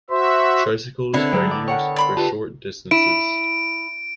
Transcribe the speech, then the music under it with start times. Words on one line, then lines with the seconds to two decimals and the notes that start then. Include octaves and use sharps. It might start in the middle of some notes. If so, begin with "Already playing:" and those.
Tricycles are used for short distances.
0.10 F#4 C5 E5
1.14 D3 B3 C4 D4 E4 A4 A#4 C#5
1.33 F#3 G#3 G5 A#5
1.51 D5
1.68 A#4 C#5 F#5 G5
1.96 D5 B5 C6
2.17 F4 G4 A4 B4 A5
2.91 E4 D7